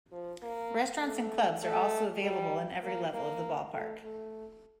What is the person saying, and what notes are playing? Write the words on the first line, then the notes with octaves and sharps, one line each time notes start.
Restaurants and clubs are also available in every level of the ballpark.
F3
A#3
A3
A3
G3
A#3
A#3
A3
A3